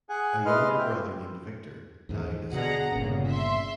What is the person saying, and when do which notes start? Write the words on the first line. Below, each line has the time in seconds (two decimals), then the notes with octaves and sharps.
A younger brother named Victor died as an infant.
0.09 G#4 F#5 G#5
0.45 G#3 E4 B4 D#5 C6 F6
0.79 F4 E5 G5
2.09 D#2 G#2 E3
2.53 B2 D3 G#4 F#5 A#5
2.92 G1 A#2 C#3
3.29 E5 C6